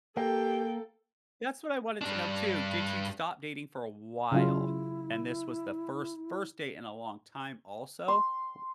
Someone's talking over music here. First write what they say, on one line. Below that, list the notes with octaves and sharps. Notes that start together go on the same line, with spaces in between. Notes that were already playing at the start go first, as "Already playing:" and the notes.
That's what I wanted to know too. Did you stop dating for a while, and this was the first first date in a long time also? Wou
A#3 G4 A4 G5
G2 D4
C#3 F#3 E4 F4
C6